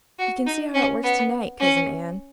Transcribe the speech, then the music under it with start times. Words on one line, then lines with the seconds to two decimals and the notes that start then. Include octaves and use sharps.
"You can see how it works to-night, Cousin Ann!"
0.19 F#4
0.46 D#4
0.74 C#4
1.03 B3
1.60 C#4